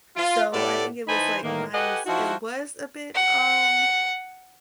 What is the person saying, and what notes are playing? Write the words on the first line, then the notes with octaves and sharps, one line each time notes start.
So I think it was, like, nice. It was a bit, um,
F4
A2 A3 B3 G4 A4 D5
E3 D#4 C5 G#5 A5 B5
A2 D#3 E3 A#3
G4 A4 B4 D#5 F#5 G#5
F3 D#4 E4 F#4
F#5